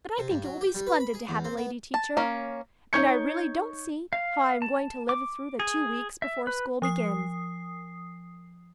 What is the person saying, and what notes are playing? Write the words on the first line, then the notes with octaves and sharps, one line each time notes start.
But I think it will be splendid to have a lady teacher, and I really don't see how I'm going to live through the two weeks before school begins.
C3
G2
F#3
G4
G3
B4
B5
G#4
E2
C4
B3
A5
A#3 C#4
D#4 C#5 C#6 G6 G#6 C#7
F5
A5
D6
G#4
E5
B4
F3 D#6 C7